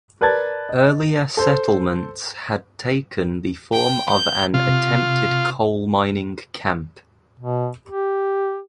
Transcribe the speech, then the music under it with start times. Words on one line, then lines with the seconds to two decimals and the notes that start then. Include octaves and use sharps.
Earlier settlements had taken the form of an attempted coal mining camp.
0.21 A#4 B4 D5 A5 G#6 A6
0.69 D#5
1.37 A4 C5
3.73 G5
4.11 G6
4.54 C3 F4
7.40 B2
7.88 G4